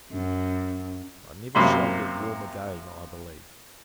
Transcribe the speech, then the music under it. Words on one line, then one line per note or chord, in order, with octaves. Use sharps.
I never shall get warm again, I believe.
F#2
F#2 C3 A#3 B5 C6